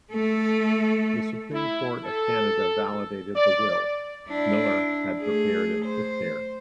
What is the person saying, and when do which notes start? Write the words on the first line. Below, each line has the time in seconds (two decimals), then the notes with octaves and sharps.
The Supreme Court of Canada validated the will; Millar had prepared it with care.
0.12 A3 A4
1.54 E4
2.05 A4
3.36 D5
4.28 D4 E4
5.21 A3 G#4
5.85 C5